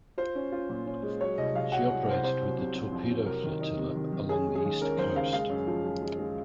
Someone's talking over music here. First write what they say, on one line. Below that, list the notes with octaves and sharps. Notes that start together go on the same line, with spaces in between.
She operated with the Torpedo Flotilla along the east coast.
F4 C5
C#4
F4
A#2
C#4
G#3
F#3 C#5
C2 D#5
C2 F5
F#3 F#5
C2
C2 C5
C3 C5
F#3
C3
C3
F2
F#3
C3 A#4
D#3
D#4
C3
D#3
D#3
C#4 G#4
G#3
G#4
D#2
C#4 A#4
D#2 C5
C#3 F5
G#3 F5
F#2
F3
F3
G#3
G#3